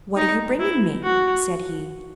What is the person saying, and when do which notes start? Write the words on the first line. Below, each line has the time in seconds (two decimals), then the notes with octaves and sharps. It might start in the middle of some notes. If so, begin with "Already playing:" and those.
"What are you bringing me?" said he.
0.17 D#4
0.60 E4
1.03 F#4